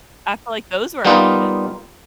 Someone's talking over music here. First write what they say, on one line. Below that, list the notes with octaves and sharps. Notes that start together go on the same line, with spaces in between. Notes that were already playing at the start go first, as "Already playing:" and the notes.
I feel like those were active.
G3 A#3 B3 D#4 F4